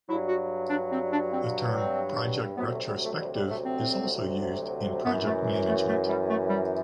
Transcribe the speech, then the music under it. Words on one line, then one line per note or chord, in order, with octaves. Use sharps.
The term project retrospective is also used in project management.
G2 F#3 E4
F#4
D4
C4
D4
C4
C4
D2 C3 F#3 B3
A3
G3
A3
G3
G3
A3
C4
F#2 E3 B3
A3
A3
A3
G3
A3
G3